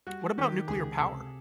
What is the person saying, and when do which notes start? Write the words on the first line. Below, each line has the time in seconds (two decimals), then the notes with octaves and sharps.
What about nuclear power?
0.07 G3 F#4
0.38 D#3 G4
0.68 C#2 G#4
0.98 C3 A4